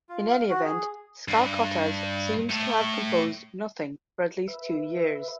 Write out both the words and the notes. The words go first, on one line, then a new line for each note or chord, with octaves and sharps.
In any event Skalkottas seems to have composed nothing for at least two years.
F4
F5
F#4
G#4
G2
A2
B4 E5